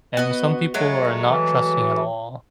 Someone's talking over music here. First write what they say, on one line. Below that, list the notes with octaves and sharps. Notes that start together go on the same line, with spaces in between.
and some people are not trusting at all,
B3 F#4 D#5
F#3 G#3 A3
E3